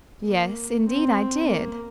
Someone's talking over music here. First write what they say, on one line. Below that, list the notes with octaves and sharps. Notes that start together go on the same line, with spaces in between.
"Yes, indeed, I did."
A#3
C4
A#3